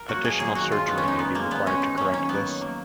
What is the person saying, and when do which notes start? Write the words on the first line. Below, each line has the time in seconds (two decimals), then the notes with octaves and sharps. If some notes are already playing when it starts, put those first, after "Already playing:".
Additional surgery may be required to correct this.
Already playing: A#4
0.08 F#3 A#3 F#4
0.24 B2 G#4
0.39 F#3 A#3 G#4
0.55 D#3 F#4
0.72 G#3 F4
0.87 D#3 B3
0.98 C#4
1.04 G#3 D#4
1.19 A#2 B3
1.35 G#3 A#3
1.51 A#2 B3
1.66 G#3 C#4
1.82 D#3 D#4
1.97 F#3 A#3 C#4
2.13 D#3 C#4
2.29 F#3 A#3 B3
2.45 D#3
2.61 F#3 A#3